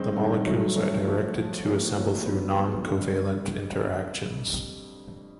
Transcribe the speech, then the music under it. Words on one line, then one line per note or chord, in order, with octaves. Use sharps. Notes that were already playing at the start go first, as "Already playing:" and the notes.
The molecules are directed to assemble through noncovalent interactions.
Already playing: G2 D#3 G#3 C4 D#4
G2 D#3 G#3 C4 D#4
G2 D#3 F#3 A3 C#4
G2 D#3 F#3 A3 C#4
F3 A3 C#4 F#4
F3 A3 C#4 F#4
A2 F3 A#3 C#4 F#4
A2 F3 A#3 C#4 F#4
D#3 F#3 B3
D#3 F#3 B3
F2 D3 G3